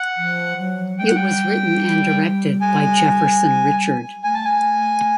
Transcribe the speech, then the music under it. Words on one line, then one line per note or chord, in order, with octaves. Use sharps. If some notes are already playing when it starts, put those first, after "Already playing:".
It was written and directed by Jefferson Richard.
Already playing: F#5
F3
F#3
G#3 G5
G3 F#5
F#3 G5
G3
G#5
A3 G#5
A5
G#5